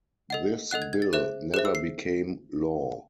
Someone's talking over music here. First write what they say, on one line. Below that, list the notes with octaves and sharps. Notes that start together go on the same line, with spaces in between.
This bill never became law.
A4 D#5 F#5
A4 D#5 F#5 F#6
G#6
G#6
A6
G#4 C5 E5 F#6
G#4 C5 E5 F#6
E6
C7